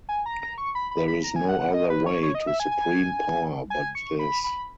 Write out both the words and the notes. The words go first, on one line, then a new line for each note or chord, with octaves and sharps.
There is no other way to supreme power but this.
G#5
A#5
A#5
C#6
B5
B5
B5
A#5
G#5
F#5
F#5
D#5
B4
C#5
C#5
D#5
E5
G#5
G#5
G#5
C#6
B5
B5